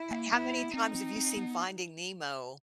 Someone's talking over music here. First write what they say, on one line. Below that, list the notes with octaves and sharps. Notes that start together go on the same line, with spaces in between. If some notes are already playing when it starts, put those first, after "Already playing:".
He how many times have you seen Finding Nemo?
Already playing: E4
A#3
B3 E4
C4 D#4
C4
C4
B3